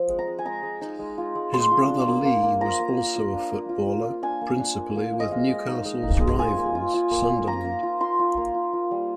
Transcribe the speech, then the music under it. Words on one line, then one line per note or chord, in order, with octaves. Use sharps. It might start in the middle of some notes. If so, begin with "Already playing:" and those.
His brother Lee was also a footballer, principally with Newcastle's rivals Sunderland.
Already playing: F3 C4
G#3
A#5
G#3
G#5
G#3 A#5
G#3
D#4
G#3
F4
G#3
G#3 C6
F4
D4
A#3
A#3
A#3
F4 A#5
A#3
A#3
F4
D4
A#3
F4
F4
F4
D4 G#5
A#3
D4
A#3
A#3
A#3
D#5
G#3 F5
G#3
D#4
G#3
D#4
G#3
F4 G#5
A#3
F4
F4
A#3
A#3
A#3 A#5
A#3
F4
F4 C6
F4
A#3
F4
F4
G3